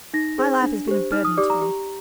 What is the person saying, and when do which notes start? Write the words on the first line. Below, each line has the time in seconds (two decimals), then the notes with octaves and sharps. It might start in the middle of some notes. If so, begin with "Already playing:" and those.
My life has been a burthen to me.
0.14 D#4 A#6
0.38 G#4 C5
0.63 D4
0.88 G4 C5
1.12 D#4 F6
1.25 D#6
1.37 G4 D5 D6
1.50 A#5
1.61 G4